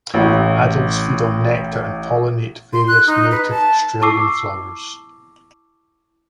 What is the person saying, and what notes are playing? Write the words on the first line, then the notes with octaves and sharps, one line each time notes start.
Adults feed on nectar, and pollinate various native Australian flowers.
A1 A2
C6
F#6
D#4
B4
A5
E4 A5 C#6 D6 E6 C7